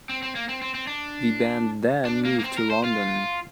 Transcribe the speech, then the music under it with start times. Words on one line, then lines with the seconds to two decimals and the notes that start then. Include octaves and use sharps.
The band then moved to London.
0.09 C4
0.22 C4
0.35 A#3
0.49 C4
0.62 C4
0.75 C4
0.87 D4
2.05 D4
2.25 A#3
2.39 A#3
2.44 C4
2.57 A#4
2.70 C5
2.84 F4